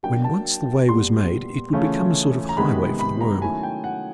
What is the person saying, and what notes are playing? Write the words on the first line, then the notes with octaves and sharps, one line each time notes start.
When once the way was made it would become a sort of highway for the Worm.
F#3 A#3 D4 G5
A5
A#2 G3 B3 C6
C#3 E3 A3 C#4 F4
A#5
C3 D#3 G#3 B3 B5
B5
A#5
D#3 F#3 A3 C#4 E4 G#5
G5
F#5